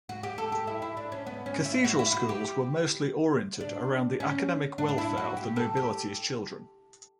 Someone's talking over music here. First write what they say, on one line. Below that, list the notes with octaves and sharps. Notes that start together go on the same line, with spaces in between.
Cathedral schools were mostly oriented around the academic welfare of the nobility's children.
F#4
G4
A4
G4
E4
E4
D4
C#4
B3
C#4
E4
F#4
E4
F#4
G4
D4
C#4
D4
D4
E4
F#4
G4
A4
G4